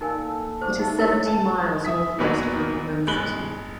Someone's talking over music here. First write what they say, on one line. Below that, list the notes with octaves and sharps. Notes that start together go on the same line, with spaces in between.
It is seventy miles northwest of Oklahoma City.
A#2 D#4 A4 A#4 G#5
D3 A3 D4 C5
D#4 E5 F#5
E4 A#4 C#5
A5
E5 D#6 B6
E2 A#2 F#3 B4
G1 G#3 B5 F#6 F#7 G7